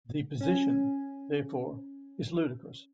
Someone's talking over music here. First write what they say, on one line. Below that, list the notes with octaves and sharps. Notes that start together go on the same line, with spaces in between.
The position, therefore, is ludicrous.
C#4 G#5